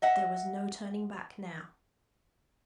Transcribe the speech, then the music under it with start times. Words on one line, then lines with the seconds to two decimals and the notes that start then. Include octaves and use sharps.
There was no turning back now!
0.02 D#5 E5 F#5